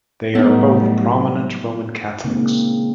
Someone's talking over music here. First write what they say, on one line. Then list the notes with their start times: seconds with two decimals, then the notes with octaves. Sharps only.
They are both prominent Roman Catholics.
0.35 A2 F#3 G3 A3 B3 D#4
2.24 A#2 C#3 G#3 A#3 C4 D#4